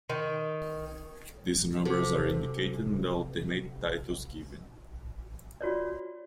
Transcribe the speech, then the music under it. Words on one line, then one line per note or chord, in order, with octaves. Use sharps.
These numbers are indicated and the alternate titles given.
D#3
C3 F#4 A4
F4 F#4 C#5 D5